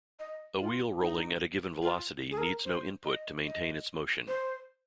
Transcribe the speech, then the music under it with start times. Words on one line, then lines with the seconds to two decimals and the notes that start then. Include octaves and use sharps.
A wheel rolling at a given velocity needs no input to maintain its motion.
0.19 D#5
0.60 F4
1.01 D#4
1.82 F4
2.31 G#4
2.38 A#4
2.65 C5
3.05 D#5
3.46 D#5
4.28 C5